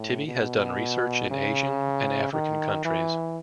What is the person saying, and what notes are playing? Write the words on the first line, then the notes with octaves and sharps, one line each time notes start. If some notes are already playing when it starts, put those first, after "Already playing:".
Tibi has done research in Asian and African countries.
Already playing: A2
B2
C#3
D#3
E3